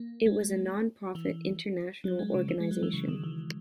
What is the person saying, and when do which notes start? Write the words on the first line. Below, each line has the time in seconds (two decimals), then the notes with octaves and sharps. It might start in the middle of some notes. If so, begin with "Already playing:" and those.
It was a non-profit international organization.
Already playing: A#3
0.26 G#3
1.15 E3
2.04 F#3
2.19 G#3
2.34 C#3
2.49 E3
2.60 G#3
2.71 F#3
2.83 E3
2.94 C#3
3.08 D#3
3.24 E3